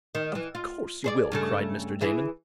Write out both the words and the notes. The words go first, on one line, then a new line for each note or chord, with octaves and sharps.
"Of course you will!" cried Mr. Damon.
D#3
E3
F4
G#4 C5 D5
G2 C#3 A3
E3 E4 G#4